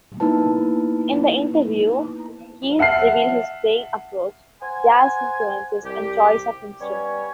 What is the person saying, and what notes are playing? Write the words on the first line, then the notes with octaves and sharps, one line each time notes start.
In the interview, Geils revealed his playing approach, jazz influences and choice of instruments.
A#3 B3 D#4 E4 B4 A5
E5 F#5 A5 F6 C7
C5 F#5 G#5
C2 G4
G3 B3 C#4 C#5